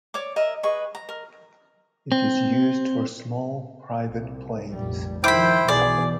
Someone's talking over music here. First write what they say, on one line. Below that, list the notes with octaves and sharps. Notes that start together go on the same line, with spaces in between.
It is used for small, private planes.
C#5 D5 D6
A#4 D#5 E5
G#4 B4 D#5 C#6
A#5
A#4
C4
C2
F1 A#1 G3
D#3 F3 E4 C5 G5 B5 D6
B1 B2 E3 G#4 D5